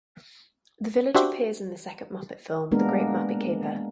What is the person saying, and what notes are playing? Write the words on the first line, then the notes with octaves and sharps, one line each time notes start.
The village appears in the second Muppet film, "The Great Muppet Caper".
D4 F#4 G4 C5 E5
G#3 A#3 B3 D4 A#4